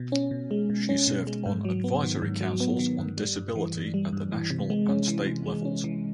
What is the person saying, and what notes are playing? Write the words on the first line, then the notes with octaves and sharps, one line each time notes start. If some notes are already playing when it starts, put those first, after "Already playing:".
She served on advisory councils on disability at the national and state levels.
Already playing: B2
C#4
B2
G#3
B2
C#4
B2
G#3
G#2
F#3
B3
D#3
G#2
F#3
B3
D#3
G2
G3
G2
E3
G2
G3
G2
E3
C3
G#3
C#4
E3
C3
G#3
C#4
E3